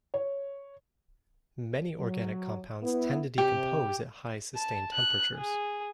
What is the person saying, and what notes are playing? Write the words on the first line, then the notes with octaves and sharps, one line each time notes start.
Many organic compounds tend to decompose at high sustained temperatures.
C#5
F#3
B3 E4
C3 G4
A5
F#6
G#4